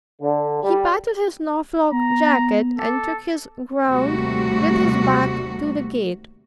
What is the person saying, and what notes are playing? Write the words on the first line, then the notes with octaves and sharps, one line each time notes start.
He patted his Norfolk jacket and took his ground with his back to the gate.
D3
G3
B3 A#5
A4 D6
D#2 C3 G3 A3 F#4